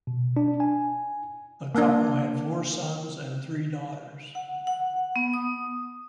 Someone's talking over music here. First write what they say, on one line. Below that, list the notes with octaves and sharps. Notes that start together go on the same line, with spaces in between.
The couple had four sons and three daughters.
B2
D4
G#5
A#3 D4
F#5
F#5
B3
D#6